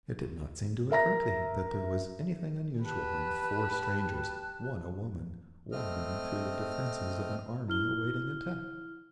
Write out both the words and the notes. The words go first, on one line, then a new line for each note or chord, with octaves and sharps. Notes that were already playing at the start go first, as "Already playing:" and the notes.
It did not seem to occur to him that there was anything unusual in four strangers, one a woman, wandering through the defences of an army awaiting attack.
A#4 E5 A#5 A#6
G4 B4 A5 F#6
A3 C4 D#5 F6
E4 F6 G7